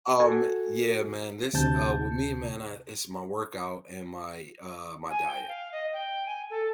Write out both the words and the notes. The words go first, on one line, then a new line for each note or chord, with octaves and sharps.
Um, yeah, man. This, uh, with me, man, I it's my workout and my, uh, my diet.
F#4 A4 G#5
D2 C3 A5 G6
G#5
G5
F5
D#5
G5
G#5
A4